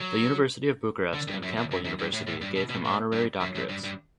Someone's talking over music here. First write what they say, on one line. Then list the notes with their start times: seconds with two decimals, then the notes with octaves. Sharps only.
The University of Bucharest and Campbell University gave him honorary doctorates.
0.01 F#3
1.14 D3
1.28 G2
1.43 F#2
1.57 E2
1.71 F#2
1.85 F#2
1.99 G2
2.13 A2
2.27 A2
2.41 G2
2.56 B2
2.70 B2
2.85 A2
3.12 G2
3.41 F#2
3.55 F#2
3.69 G2
3.84 G2